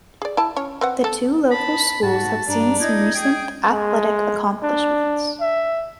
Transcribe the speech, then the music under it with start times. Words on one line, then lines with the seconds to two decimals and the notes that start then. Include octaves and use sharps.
The two local schools have seen some recent athletic accomplishments.
0.22 G#4 D5
0.37 E4 A5
0.56 C#4 C#5
0.81 C4 B4 F#5
1.04 A4
1.51 A5 B5
2.03 G#2 F#4 A5
2.48 G2 D4 A#5
2.81 D#4 E4 D#5 G#6
3.15 G#4 G5 D7
3.72 G#3
4.63 D4
5.40 E5